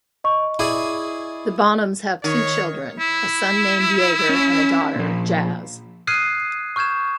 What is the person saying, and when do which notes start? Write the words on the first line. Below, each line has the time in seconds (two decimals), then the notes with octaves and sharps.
The Bonhams have two children: a son named Jager and a daughter, Jaz.
0.24 D#5 C#6
0.59 E4 G#4 D5
2.24 D#3 C#5
2.99 E4
4.29 C#4
4.96 A#2 F3
6.07 D#6 F6 F#6 G#6 C7 D#7
6.76 C#6 F6 G6 G#6 E7